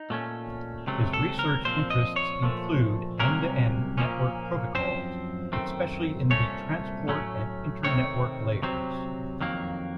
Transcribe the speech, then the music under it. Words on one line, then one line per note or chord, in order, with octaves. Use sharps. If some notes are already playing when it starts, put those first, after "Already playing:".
His research interests include end-to-end network protocols, especially in the transport and internetwork layers.
Already playing: D#4
A#2 A3 C#4
C#2 C3 F#3 A3
A4
A#4
A#2 F3 C4 C5
D#5
C#5
A#2 F3 A3
C2 C3 F#3 A#3 C#4 A#4
A#2 F3 A#3 C#4
F#2 F3 C4 C5
F#2 D#3 A3 C4
C2 A#2 A3 C#4 C#5
A2 F#3 A3 C#4
C3 D#3 A3 C4 C#5
C3 F#3 C4
F2 D#3 F#3 A#3